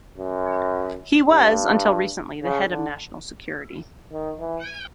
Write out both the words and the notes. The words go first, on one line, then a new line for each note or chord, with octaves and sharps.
He was, until recently, the head of national security.
F#2
G2
C#3
D3
D#3
E3